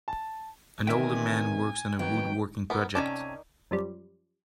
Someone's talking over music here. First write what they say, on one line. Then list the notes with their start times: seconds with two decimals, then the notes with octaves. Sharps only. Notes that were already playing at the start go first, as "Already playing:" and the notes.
An older man works on a woodworking project.
0.08 A5
0.87 E2 C3 D#3 E5 G5 G#5
1.99 F2 D#3 F#3 B3 G5
2.70 B3 A#4
2.95 C3 D#3 C#4 D5 A5
3.71 F#2 F3 G3